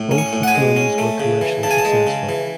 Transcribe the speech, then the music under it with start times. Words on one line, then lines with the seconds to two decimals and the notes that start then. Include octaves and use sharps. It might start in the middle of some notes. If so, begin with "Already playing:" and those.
Both the films were commercially successful.
Already playing: A2
0.11 C#4
0.18 C#6
0.33 A2
0.43 F#5
0.48 G#5
0.55 G#3
0.76 C#4
0.98 A3
1.20 C#3
1.41 E3
1.63 C#3 A5
1.71 G#5
1.78 A5
1.85 G#3
2.07 C#3
2.29 E3